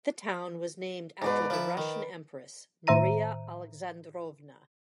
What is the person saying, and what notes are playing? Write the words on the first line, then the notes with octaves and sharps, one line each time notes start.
The town was named after the Russian empress Maria Alexandrovna.
G#2 B2 B4 D5 A#5
F3 E4
D#3
A2 D#3 C5 E5 A#5 D#7